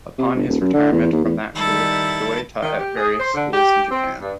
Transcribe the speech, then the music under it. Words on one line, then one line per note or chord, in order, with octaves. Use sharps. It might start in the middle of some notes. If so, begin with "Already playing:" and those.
Upon his retirement from that court, Doi taught at various schools in Japan.
C3
G1
D#1
F#2
D3
E2
D#2
E2
D#3 G3 E4 A4
D#3
G4
G#4
C5
D3
G4
C4
G2